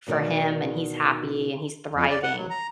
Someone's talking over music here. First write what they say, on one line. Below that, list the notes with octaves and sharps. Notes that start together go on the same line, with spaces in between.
for him, and he's happy, and he's thriving,
D2 B2 D#3 B3 D5
F2
D5
F#5
F#3
A#5